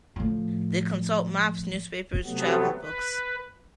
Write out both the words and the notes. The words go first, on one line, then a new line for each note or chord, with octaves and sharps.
They consult maps, newspapers, travel books.
A2 F3
C3 F#3 A3 B3
B4